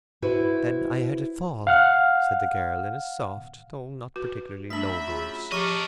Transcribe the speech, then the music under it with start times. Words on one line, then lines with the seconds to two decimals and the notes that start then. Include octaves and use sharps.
"Then I heard it fall," said the girl, in a soft, though not particularly low voice.
0.22 E4 F#4 B4 C5 E5
1.67 F5 F#5 F6
4.16 F#4 B4
4.70 F#2 A3 D4 E5 B5 B6 F#7
5.08 F4 G#4
5.52 F3 G4 A4 D#5 A#5 C#6 D6 F6